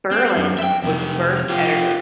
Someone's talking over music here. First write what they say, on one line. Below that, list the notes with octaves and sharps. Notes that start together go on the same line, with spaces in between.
Berlin was the first editor.
C4
F#2
E5 G5
F2 C3
F4 G4